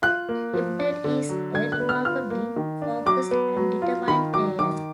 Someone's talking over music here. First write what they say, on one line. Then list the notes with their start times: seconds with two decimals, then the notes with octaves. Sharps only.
Ebdon is a remarkably focused and determined player.
0.02 F4 F#6
0.29 A#3
0.53 F3
0.79 D4
1.04 D3
1.29 F#3
1.54 D3 G#6
1.72 F#6
1.80 B3
1.89 F6
2.05 F4 F6
2.30 A#3
2.56 D#3
2.82 D4
3.06 F#3 D6
3.31 B3
3.57 F#3
3.82 F4
4.08 D#3 B5
4.33 F#3 D6
4.59 D#3 D6